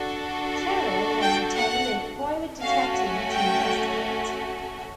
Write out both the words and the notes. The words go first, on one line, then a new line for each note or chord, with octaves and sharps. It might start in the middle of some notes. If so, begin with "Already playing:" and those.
Carroll had retained a private detective to investigate.
Already playing: D4 F#4 A4
G5
F#5
A3 C#4 F#4 F5
G5